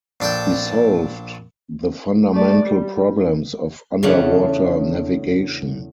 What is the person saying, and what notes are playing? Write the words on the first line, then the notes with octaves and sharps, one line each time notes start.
He solved the fundamental problems of underwater navigation.
A#1 D4 A4 D5 G5
A3 D5
G3
E2 C#3 A3 D4 F5 F#5